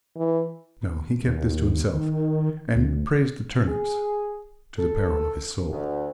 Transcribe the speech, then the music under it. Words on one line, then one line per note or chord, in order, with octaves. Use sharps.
No, he kept this to himself, and praised the turnips to the peril of his soul.
E3
D#2
D#3
D2
G#4
A4
D2